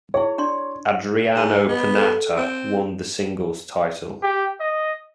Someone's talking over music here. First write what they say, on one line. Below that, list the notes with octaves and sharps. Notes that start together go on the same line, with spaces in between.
Adriano Panatta won the singles title.
E4 G#4 C#5
D4 D5 C6
G#2 G#5 D#7 E7
B3 D#5
A4
C4 D7
G4
D#5